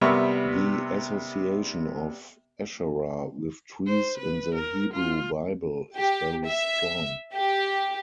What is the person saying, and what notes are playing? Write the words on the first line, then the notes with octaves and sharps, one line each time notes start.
The association of Asherah with trees in the Hebrew Bible is very strong.
C3 G3 B3 A#4 E5 C#6
C5
B4
A#4
F4
G4
E5
G4